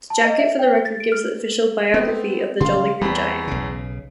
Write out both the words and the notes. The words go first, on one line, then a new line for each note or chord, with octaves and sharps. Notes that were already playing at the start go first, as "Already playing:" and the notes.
The jacket for the record gives the official "biography" of the Jolly Green Giant.
A5
D#5
E5
G5
C5
A6
D7
F6
B3 C4
C#3 F#3 F5 C6
E2 G3 C4 B5 B6
B1 C#3